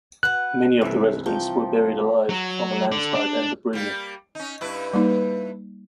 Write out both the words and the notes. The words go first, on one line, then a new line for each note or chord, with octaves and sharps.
Many of the residents were buried alive from a landslide and debris.
F#4 B4 F#5 F#6
C2 C3 E3 C#5 E5
F3 D#4 G5 C#6
F#3
D3 D5
D4
G3 A#3
C#4 D#4
G2 E4 B4
G3 A#3 D#4